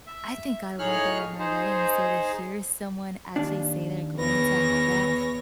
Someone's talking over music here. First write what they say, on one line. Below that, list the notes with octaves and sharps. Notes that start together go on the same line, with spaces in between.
"I think I want that at my wedding." So, to hear someone actually say, they're going to have that,
E5
A2 D#4 G#4 C#5 F6 F#6
D#4 G#4 C5
D#2 D4
E2 B4 C#5 A#6